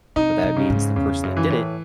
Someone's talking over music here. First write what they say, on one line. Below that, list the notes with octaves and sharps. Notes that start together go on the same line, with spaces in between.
but that means the person that did it
C3 D#4
C3
C#3
G#2
E2 C#3
F#2
E3
A2